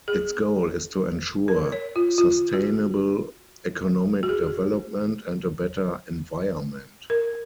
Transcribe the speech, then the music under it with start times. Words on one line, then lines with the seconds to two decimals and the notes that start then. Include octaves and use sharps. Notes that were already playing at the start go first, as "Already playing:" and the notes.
Its goal is to ensure sustainable economic development and a better environment.
0.08 G#4
1.48 A#4
1.72 C#5
1.96 F4
2.18 F4
2.53 F#4
4.23 F#4
4.29 G#4
7.10 A#4